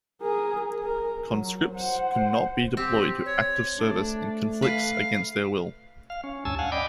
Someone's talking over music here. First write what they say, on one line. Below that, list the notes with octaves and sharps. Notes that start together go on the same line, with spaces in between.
Conscripts could not be deployed to active service in conflicts against their will.
G#4 A#4
A#4
F#3
C5 F#5
C4 G4
C#5
A3 D4
B4 F5
F5
C#4
D2 G2 C#4 G#5 A5 E6
F5 F#5 G#5
D5 D#5 G5 B5 D6